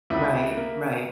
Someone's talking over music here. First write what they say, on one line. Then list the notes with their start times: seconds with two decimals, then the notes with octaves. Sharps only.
Right, right.
0.10 C#2 E4
0.57 A#3